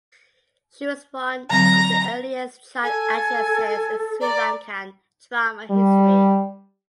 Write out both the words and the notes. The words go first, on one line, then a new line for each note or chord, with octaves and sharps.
She was one of the earliest child actresses in Sri Lankan drama history.
D3 F#3 C4 A#5
A4 G#5
D5 A#5
G3